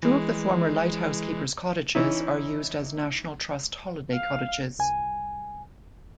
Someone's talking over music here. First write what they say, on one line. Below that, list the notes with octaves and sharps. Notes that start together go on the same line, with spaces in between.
Two of the former lighthouse keepers' cottages are used as National Trust holiday cottages.
E3 G#3
E3 C#4 D#4 E4
F5
C2 G#5